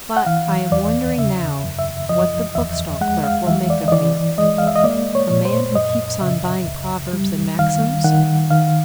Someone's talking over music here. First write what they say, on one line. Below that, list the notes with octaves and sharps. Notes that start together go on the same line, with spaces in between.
But I am wondering now what the bookstall clerk will make of me. A man who keeps on buying Proverbs and Maxims.
F#5
E3 F5
E2 D5
C#3 E5
F#2
E5
F3 D#5
E2 E5
G#3 F#5
F5
E3 E5
D5
D#5
E3 D5
G#3 D#5
F5
E5
D#5
A#3 D5
C#5
A#2
C5
F#2 D#5
C#3 E5
C#2
G3
D#3 F5
D#3 F#5
D#3 F5